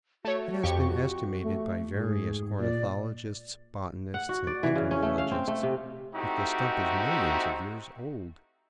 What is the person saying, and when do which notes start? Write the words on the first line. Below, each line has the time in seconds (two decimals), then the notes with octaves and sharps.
It has been estimated by various ornithologists, botanists and entomologists that the stump is millions of years old.
0.25 A3 F#4 C#5
0.63 F2 G4 C#6
1.44 A3
1.94 G#2 G#4
2.59 A#2 D5
4.14 F#5
4.29 F#4
4.47 D5
4.63 E3
4.75 C#3
4.91 C#4
5.03 A3
5.18 F5
5.31 C4
5.48 A3
5.63 C3
6.15 A3 C4 D#4 E4 F#4 G4